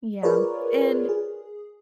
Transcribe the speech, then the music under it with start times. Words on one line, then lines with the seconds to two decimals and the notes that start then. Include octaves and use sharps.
Yeah, and
0.23 F4 G#4 A#4 B4 C#5 D5
1.09 G#4